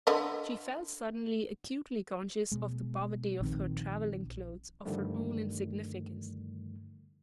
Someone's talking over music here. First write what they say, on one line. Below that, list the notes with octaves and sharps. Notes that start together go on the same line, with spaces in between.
She felt suddenly acutely conscious of the poverty of her travelling clothes, of her own insignificance.
D3 B4 D#5
B2 G#3
A#1 D#3 C4
G2 D3 D#3 F3 G3 A3